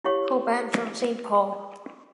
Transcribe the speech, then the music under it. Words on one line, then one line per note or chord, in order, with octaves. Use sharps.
Hoban from Saint Paul.
E4 G4 C#5 F5 C#6